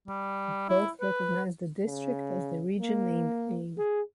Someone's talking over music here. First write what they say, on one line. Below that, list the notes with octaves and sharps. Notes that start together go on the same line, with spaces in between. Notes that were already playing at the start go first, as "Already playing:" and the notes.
Both recognize the district as the region named Ayn.
G3
E4
B4
C#3
A#3
G#4